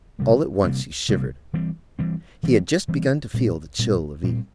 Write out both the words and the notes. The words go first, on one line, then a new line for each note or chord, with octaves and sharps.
All at once he shivered; he had just begun to feel the chill of evening.
C3 G3 A#3
C3 G3 A#3
C3 G3 A#3
E3 G3 C4
E3 G3 C4
E3 G3 C4
E3 G3 C4
A#2 G3 C4
A#2 G3 C4
A#2 G3 C4